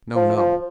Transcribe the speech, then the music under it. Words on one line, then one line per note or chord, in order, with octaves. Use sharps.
No, no.
F3
F3